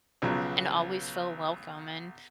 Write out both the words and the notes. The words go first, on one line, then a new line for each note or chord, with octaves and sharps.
and always feel welcome, and
B1 C#3 F3 F#3